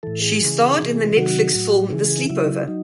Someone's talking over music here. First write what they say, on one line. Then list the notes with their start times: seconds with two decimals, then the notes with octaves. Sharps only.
She starred in the Netflix film "The Sleepover".
0.03 A2 E3 A4
0.22 G#4
0.41 C#3 E3
0.79 C3 E3
1.16 C3 D#3 F#3 F#4
1.54 A2 F#3
1.92 C#3 E3 G#4
2.30 C#3 F#3 E4
2.68 F#3 D#4